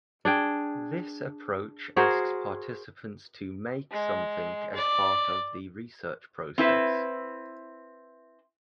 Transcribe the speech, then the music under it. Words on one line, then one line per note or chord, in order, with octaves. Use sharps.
This approach asks participants to "make" something as part of the research process.
D4 G#4 G5
F#4 G#4 A#4 C5
G#3
D5
C4 E4 B4